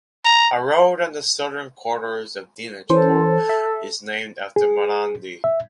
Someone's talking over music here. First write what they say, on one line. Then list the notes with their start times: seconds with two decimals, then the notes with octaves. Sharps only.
A road on the southern quarters of Dinajpur is named after Marandi.
0.25 A#5
2.90 E3 C#4 A4 C5
3.49 E5
4.56 G#4
5.44 E5